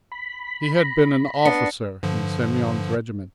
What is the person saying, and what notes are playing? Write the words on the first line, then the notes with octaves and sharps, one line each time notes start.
He had been an officer in Semyon's regiment.
B5
A#6
B3 D4 C#7
G2 D3 F3